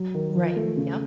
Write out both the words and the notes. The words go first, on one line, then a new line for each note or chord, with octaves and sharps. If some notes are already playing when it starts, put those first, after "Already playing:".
Right, yup,
Already playing: F#3
D#3
F3
A3
C#3